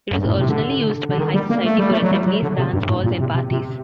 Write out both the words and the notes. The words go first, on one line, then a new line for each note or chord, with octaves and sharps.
It was originally used by high society for assemblies, dance balls and parties.
F#2
G2
A2
C3
D3
D3
D#3
G3
A#3
A3
G3
A3
F#3
G3
F#3
D3
C3
G2
A2
A#2
C3
C3
C3